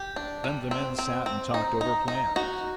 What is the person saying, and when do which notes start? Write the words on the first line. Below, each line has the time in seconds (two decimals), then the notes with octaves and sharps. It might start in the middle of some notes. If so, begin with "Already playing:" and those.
Then the men sat and talked over plans.
Already playing: G4
0.16 D4
0.44 G3
0.71 C4
0.99 C4
1.26 C4
1.54 D#4
1.81 D#4
2.08 D#4
2.36 D#4 F#4